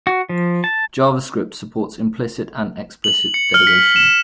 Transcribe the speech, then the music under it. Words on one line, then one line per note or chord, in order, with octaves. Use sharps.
JavaScript supports implicit and explicit delegation.
F#4
F3
A5
F#7
C#7
F6
B6
E7